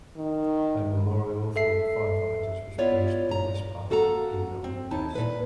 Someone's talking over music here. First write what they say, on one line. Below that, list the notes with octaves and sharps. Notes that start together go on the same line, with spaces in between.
A memorial for the firefighters was placed in West Park, Geelong West.
D#3
A4 E5 C7
B3 E4 F4 C#5 D5
A#2 A#5
A#3 F#4 A4 F#5 A#5
C4
D#2 D#4 E4 A5
A#2 B4